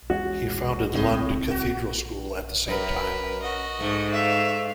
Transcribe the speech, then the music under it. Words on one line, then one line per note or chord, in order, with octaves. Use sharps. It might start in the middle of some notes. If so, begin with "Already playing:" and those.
He founded Lund Cathedral School at the same time.
E2 G#3 C#4 F#4
C#2 A2 C4 D#5
F#4
F#2 A#4 B4
F#4 D#5
G#2 A3
E5 F5